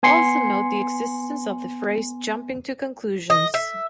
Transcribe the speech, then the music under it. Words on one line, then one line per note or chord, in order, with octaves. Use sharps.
Also note the existence of the phrase "Jumping to conclusions".
B3 G#5 C6 C7 C#7
D#5
E5